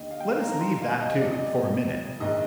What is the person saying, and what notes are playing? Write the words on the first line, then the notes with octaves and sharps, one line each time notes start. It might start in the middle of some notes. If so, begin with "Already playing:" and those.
Let us leave that, too, for a minute.
Already playing: D#2 D3 D#5
F5
G5
F5
A#5
A#5
C6
F5
F1 F2 C3 D#5
D5
D#5
A#1 G#2 D#3 D#5